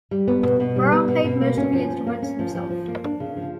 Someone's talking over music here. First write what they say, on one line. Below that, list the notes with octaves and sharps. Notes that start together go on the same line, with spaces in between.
Brown played most of the instruments himself.
G3
B3
B2
B2
G3
B3
B2
B2
A#3
C#4
F3
F3
A#3
C#4
F3
F3
F3
A#3
D4
C#3
F3